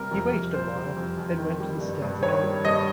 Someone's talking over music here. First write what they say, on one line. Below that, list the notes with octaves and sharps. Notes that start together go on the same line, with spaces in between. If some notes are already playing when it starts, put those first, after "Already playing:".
He waited a while, then went to the stairs again.
Already playing: C3 G3 A#4
F2
F2
C3 C5
G3
F2
F2
D#3
G3
G2
G2
D#3 C#5
G3
G2 D#5